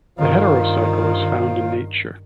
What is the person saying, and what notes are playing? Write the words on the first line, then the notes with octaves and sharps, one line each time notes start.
The heterocycle is found in nature.
G2 D#3 F4 C5 F5